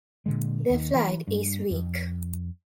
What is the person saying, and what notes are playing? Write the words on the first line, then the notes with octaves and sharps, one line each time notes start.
Their flight is weak.
A#2 D3 G#3
D#2 D#3
E3
G2
F2